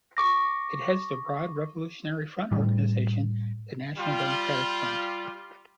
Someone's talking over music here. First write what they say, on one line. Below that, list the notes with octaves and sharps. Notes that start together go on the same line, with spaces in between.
It heads the broad revolutionary front organization, the National Democratic Front.
C#6 D6 A#6
A2 G3
G3 F4